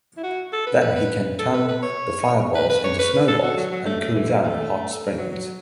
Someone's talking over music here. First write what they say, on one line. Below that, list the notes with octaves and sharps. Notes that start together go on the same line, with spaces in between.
Then he can turn the fireballs into snowballs and cool down hot springs.
E4
F#4
A4
B4
B4
B4
A4
B4
B4
C#5
B4
B4
C#5
B4
B4
A4
F#4
F#3
F#3
A3
A3
E3
F#3
A3
F#3
F#3